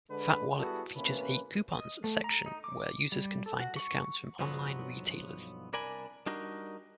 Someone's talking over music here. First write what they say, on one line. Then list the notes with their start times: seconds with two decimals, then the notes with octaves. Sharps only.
FatWallet features a "Coupons" section where users can find discounts from online retailers.
0.10 D3 G#3 B4
0.59 G3 B3 E4 F#4 G#4 A4
0.97 A1 C3 A#3 C#4 B4
1.72 D#5
2.04 A3
2.24 A#5
2.46 D#4
2.64 D6
3.12 G3
3.46 A4
3.60 F#4
3.76 C#6
4.39 B1 G2 F3 F#3 B3
5.73 C2 D4 A#4 D5 G#5 B5
6.26 G3 D4 D#4 F#4 A#4